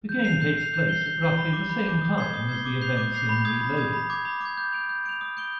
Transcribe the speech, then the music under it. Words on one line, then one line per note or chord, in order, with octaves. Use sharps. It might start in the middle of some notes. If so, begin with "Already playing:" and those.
The game takes place at roughly the same time as the events in "Reloaded".
G6
C7 F7
G6
C7 F7
G6
C7 G7
G6
C7 G7
B5
D6 G6
B5
D6 G6
D#6
G#6 C7 G7
D#6
G#6 C7 G7
D6
G6 C7 F7
D6
G6 C7 F7
B5
D#6 G#6
B5
D#6 G#6
B5
D6 G#6
B5
D6 G#6
G6
D7 F7
G6
D7 F7
D#6
G6 D7 G7